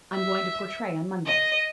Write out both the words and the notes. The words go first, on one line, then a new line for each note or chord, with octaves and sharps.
"I am going to Portray on Monday."
E5
D#5